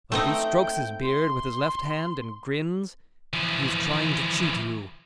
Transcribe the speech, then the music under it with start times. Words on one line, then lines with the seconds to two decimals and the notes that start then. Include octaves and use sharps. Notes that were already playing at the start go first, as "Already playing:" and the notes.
But if he strokes his beard with his left hand and grins--he is trying to cheat you.
0.12 A3 C4 D#4 G5
1.03 C6
3.33 E3 F3